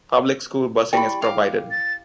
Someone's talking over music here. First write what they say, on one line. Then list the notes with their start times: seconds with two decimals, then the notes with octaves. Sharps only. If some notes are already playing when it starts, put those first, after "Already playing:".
Public School busing is provided.
0.93 E4 G4 D5 G5 B5
1.22 F5 D6
1.71 A6